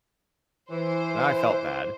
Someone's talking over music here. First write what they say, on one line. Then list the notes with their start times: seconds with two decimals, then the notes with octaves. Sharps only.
Then I felt bad.
0.70 E3 C5